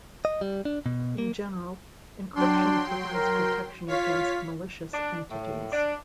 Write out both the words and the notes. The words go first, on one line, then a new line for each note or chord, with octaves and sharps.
In general, encryption provides protection against malicious entities.
D#5
G3
D4
B2
A#3
F#3 D4 G5 C6
A#4
F4 C#5 F5 B6
D4
A2
D4